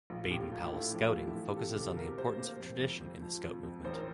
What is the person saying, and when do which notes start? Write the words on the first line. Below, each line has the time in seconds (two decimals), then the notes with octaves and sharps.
Baden-Powell Scouting focuses on the importance of tradition in the Scout Movement.
0.10 A#1 F4
0.31 A2 G4
0.51 A3 F4
0.72 A3 E4
0.93 F3
1.14 A3
1.27 E4
1.35 E3 F4
1.49 G4
1.55 C3 A4
1.76 D2 G4
1.97 C3 A#4
2.18 C3 C5
2.38 A#3 C5
2.60 F2
2.80 F2
3.01 F2
3.22 F3
3.43 F2
3.63 F2
3.85 A1 C5
3.93 A#4